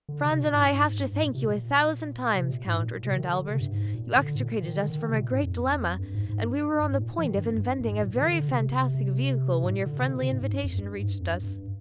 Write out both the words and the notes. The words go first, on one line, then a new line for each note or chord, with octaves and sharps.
"Franz and I have to thank you a thousand times, count," returned Albert; "you extricated us from a great dilemma, and we were on the point of inventing a very fantastic vehicle when your friendly invitation reached us."
D3
C3
C3
A#2
G#2
G2
G#2
G2
G#2
A#2
C3
A#2
C3
A#2
G#2
A#2
C3
D#3
D3
D3
C3
G2
G#2
A#2
D3
G#2
A#2
D#3
D3
D#3
C3
A#2
G#2
F2
G2
G#2
G#2
G2
G2
G#2
A#2
F3
D#3
G2
G2
G#2
G#2
A#2
A#2
D#3
D3
C3
C3
C3
G#2
A#2
D3
C3
D3
A#2
C3
G#2
G#2
G2
F2
G2
G#2
G2
F2
G2
G2